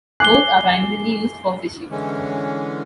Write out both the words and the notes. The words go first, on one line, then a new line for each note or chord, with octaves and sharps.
Both are primarily used for fishing.
G#5 D6 F#6 C7 G7
D3 E3 G#3 C#4